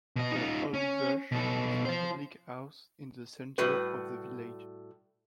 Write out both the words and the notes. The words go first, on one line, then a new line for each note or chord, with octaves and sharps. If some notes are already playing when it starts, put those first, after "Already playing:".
"The Holly Bush" is a public house in the centre of the village.
B2 D#5
D#4 F4
C#4
B2 A4
F4 C5
A2 G3 F#4 B4